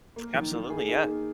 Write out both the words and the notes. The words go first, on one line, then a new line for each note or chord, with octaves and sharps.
Absolutely. Yeah.
A#3
D#3
D#3
G#4
D#4
A#3